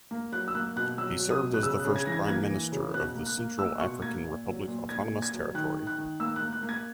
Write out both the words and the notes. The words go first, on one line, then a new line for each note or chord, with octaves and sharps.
He served as the first Prime Minister of the Central African Republic autonomous territory.
A#3
F#3 F#6
E6
A#3 F#6
B2 F#6
F#3 E6
F#3
D#6
B2
F#6
C#3 E6
F#6
C#3
G#6
E3 A#6
G#6
A#3 G#6
E3
C#3
B2 F#6
A#3
F#6
A#3
A#3 E6
B2 C#6
A#3 G#6
A#2
F#3
A#2
A#2 G#6
A#2
G#6
F#3
D#3 F#6
D#3
F#6
D#3
A#3 E6
F#6
A#3
F#6
A#3
G#6